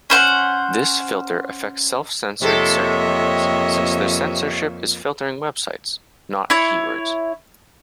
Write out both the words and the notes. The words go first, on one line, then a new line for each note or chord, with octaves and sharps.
This filter affects self-censored search engines, since their censorship is filtering websites, not keywords.
C#4 C5 F#5
F2 C3 A#3 A4 C#5 D#5 E5
E4 C#5